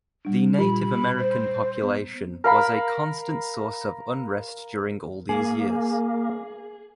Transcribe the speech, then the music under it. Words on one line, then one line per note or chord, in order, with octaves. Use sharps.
The Native American population was a constant source of unrest during all these years.
G3 D4
A#2 F4 G4 B5
C5
B3
A#4 F5 B5
A#3 G#4